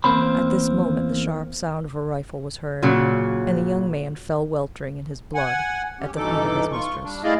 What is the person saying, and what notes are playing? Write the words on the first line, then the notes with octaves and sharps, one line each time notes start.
At this moment the sharp sound of a rifle was heard, and the young man fell weltering in his blood, at the feet of his mistress.
E2 G2 A#3 C4 C5 B5
A#2 C#3 F#3
F#5 G#5
C#4 G4
G2 B2 E3 D#4 A4 D6
F4 C#6
G3 D4
A3 E4 G#4 D5 D#5 F5